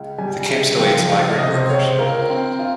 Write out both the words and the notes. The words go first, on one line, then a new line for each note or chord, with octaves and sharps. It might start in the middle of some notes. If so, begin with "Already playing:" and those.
The camp still aids migrant workers.
Already playing: C#2
G3 G#5
C#3
F3 G5
C#2 F5
C3 D#5
C5
C#2 C#5
C5
F4 A#4
C4
F4